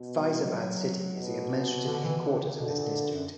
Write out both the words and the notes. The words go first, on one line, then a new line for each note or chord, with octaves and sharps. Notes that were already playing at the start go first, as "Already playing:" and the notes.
Faizabad city is the administrative headquarters of this district.
Already playing: B2
G3
F#3
B2
D3
E3
D3
D3
C#3
B2 D3
G2
A#2
G2
F#2